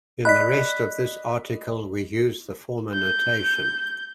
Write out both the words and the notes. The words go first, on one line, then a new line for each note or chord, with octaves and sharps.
In the rest of this article we use the former notation.
D5 D#5 B5 F#6 B6
G6